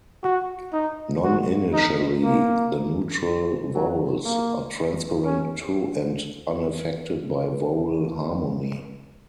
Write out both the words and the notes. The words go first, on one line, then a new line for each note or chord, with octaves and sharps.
Non-initially, the neutral vowels are transparent to and unaffected by vowel harmony.
F#4
D#4
F#4
D#4
A#3
F#3
A#3
C#4